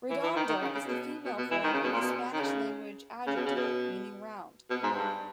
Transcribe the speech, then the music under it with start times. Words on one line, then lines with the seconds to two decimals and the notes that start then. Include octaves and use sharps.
"Redonda" is the female form of the Spanish language adjective meaning "round".
0.10 E3
0.23 E3
0.36 D#3
0.49 D#3
0.61 C#3
0.74 C#3
0.87 B2
1.25 B2
1.38 B2
1.51 E3
1.64 D#3
1.73 C#3
1.83 B2
1.92 A#2
2.02 B2
2.32 D#3
2.40 C#3
3.27 C#3
3.36 B2
3.45 C#3
3.55 B2
4.70 B2
4.83 G#2
4.95 G2